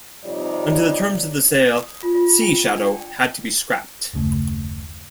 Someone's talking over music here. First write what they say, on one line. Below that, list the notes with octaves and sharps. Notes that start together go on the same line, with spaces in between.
Under the terms of the sale "Sea Shadow" had to be scrapped.
F2 C3 G3 D#4 C#5 D5
D#6
F4
F4
G5
D4
G5
F#1 D#2 C#3 A3